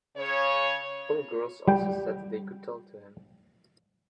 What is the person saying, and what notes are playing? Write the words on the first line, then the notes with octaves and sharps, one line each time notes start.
Other girls also said they could talk to him.
C#3 C#5
G3 G5